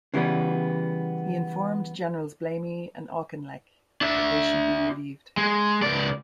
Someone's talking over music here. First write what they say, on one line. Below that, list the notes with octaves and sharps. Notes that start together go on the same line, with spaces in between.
He informed Generals Blamey and Auchinleck that they should be relieved.
C#3 E3 G3 B3
D4 E5
G#3
C#2 D5